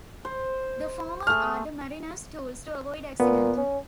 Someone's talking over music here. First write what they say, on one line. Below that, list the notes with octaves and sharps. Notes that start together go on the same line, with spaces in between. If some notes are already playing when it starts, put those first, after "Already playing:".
The former are the mariner's tools to avoid accident.
C5
A3 G#4 F6
A#2 B3
C#4